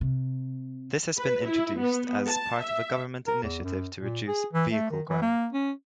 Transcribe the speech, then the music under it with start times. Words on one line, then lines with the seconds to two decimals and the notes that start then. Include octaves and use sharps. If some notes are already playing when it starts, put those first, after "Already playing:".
This has been introduced as part of a government initiative to reduce vehicle crime.
0.01 C3
1.17 B4
1.46 E4
1.80 B3
2.27 A5
2.61 E5
3.27 A#4
3.43 E2
3.64 F#2
3.99 A#2
4.28 G#4
4.53 E3
4.72 A3
4.91 D#3
5.08 E3
5.22 A#3
5.53 C#4